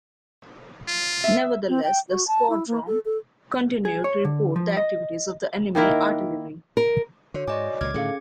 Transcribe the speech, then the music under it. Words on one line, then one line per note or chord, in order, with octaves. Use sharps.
Nevertheless, the squadron continued to report the activities of enemy artillery.
F4
E5
C4
G5
F#4
A5
E4
A#3
A4
A4
G#4
C#5
D3
F3
D#5
D#3 A#3 E4 A#4
A#4
D3 F#4 C#5
G#2 D5 D#5 G#5 C#6 D6
C#2 A#2 D3 D6 F6 G#6
A2 D3 D#3 C#4 G#4 A4 F5 C#7